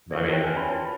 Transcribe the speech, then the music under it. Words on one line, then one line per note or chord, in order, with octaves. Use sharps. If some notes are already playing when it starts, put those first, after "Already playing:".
I mean,
D5 E5 C#6
E4 F#4 A#4 C5 C#5 G5
B4 E5 G#5
C#4 E4 D5 G#5 B5 C6
E4 F4 C#5 A5
E4 B5